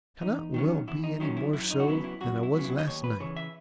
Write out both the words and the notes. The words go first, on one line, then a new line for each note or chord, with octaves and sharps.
I cannot well be any more so than I was last night.
E2 D#4
D#3 F#3 C#4
E2 E4
D#4
D#3 F#3 C#4 E4
E4
F#2 E4
D#4
F#4
C#3 F#3 B3 E4
E4
F#2 F#4
E4
C#3 F#3 B3
E4
D#5
D#2 C#5
B4
C#3 E3 C#5
E5